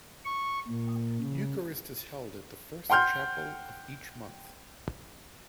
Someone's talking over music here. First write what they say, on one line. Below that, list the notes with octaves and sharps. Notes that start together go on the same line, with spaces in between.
Eucharist is held at the first chapel of each month.
C#6
A#2
C#3
F#5 G5 C6 F6 G6